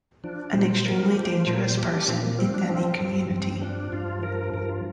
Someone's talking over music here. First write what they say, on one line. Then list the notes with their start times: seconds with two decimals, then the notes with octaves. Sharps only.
An extremely dangerous person in any community.
0.24 F3 D4
0.54 A#2 C5
0.85 F3 A#4
1.06 G4
1.16 F3
1.26 C5
1.46 A#2 C5
1.54 A#4
1.64 C5
1.77 F3 G4
1.95 D4
2.08 A#2 C4
2.23 A#3
2.38 F3 C4
2.54 D4
2.69 F3 C4
3.00 G2
3.31 G2 C4
3.61 F3 D4
3.92 G2 F4
4.23 F3 A#4
4.54 G2 A#4
4.69 F4